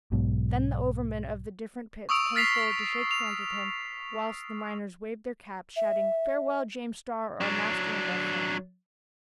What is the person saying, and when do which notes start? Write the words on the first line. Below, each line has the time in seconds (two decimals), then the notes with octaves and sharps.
Then the overmen of the different pits came forward to shake hands with him, whilst the miners waved their caps, shouting, "Farewell, James Starr, our master and our friend!"
0.12 B1 G#2 B2
2.09 C#6 D#6 E6 D7 F7
2.35 F6 A6 B6 C7 F7
3.11 F7
5.76 E5
7.41 F#3 D4